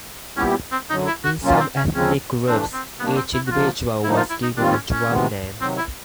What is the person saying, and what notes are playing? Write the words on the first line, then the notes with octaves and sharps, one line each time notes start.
In some ethnic groups, each individual was given a "drum name".
A#2 G3 B3 C#4 E4 G4
C4
F#2 D3 F#3 D#4
E4
F#4
B2 F#3 A#3 C#4 F4
C4
C#4
D#2 C#3 F3 G#3 C4 C#4
G2 E3 A3 C4 D4
C4
C3 D#3 G3 A#3 B3 D4
C4
E4
F#4
D2 C3 F3 A#3 F4
G2 D3 F3 A#3 D#4 E4
F4
E4
D#4
D#2 D#3 G3 C4 D4 F4
C#4
C#4
D2 C3 D#3 G#3 B3
C3 D#3 F#3 C4
E4